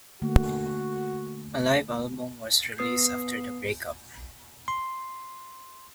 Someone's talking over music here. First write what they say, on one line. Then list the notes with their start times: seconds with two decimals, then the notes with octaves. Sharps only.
A live album was released after the breakup.
0.22 D3 A3 A#3 F#4
2.78 B3 B4 D#6 C7
4.68 C6